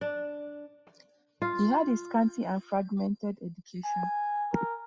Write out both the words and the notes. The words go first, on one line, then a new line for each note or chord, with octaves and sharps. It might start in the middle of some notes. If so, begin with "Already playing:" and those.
He had a scanty and fragmented education.
D4
F4
G#5
A#4